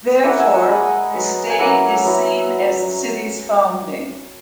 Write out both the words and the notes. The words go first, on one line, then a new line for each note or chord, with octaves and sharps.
Therefore, this date is seen as the city's founding.
A#3 E4 F#5
E5 G#5
D#5 E5 F#5
G#3 D#4 G#5 B5
F#3 B3 D#4
G#5
F#3 A#3 C#4 E4 F#5 A#5
F#3 B3 E4